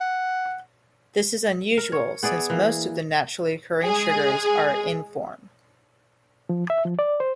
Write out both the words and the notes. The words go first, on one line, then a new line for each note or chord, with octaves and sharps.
This is unusual, since most of the naturally occurring sugars are in -form.
F#5
A#4
C#5
B3 G#4 D5 E5
E3 A#3
G#3 G#4
F3
E5
F3
D5
C5